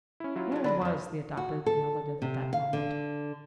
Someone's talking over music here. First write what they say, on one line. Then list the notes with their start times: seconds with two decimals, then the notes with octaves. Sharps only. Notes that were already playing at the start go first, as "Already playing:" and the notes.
Where was the adopted relative at that moment?
0.20 C#4 E4
0.36 F#3 E4 F4
0.52 C#3 C#5
0.64 D3 D4 G#4 A#4 B5
0.81 F2 F3 D4
1.37 F#4
1.66 A4
2.22 C3
2.53 F5
2.73 D3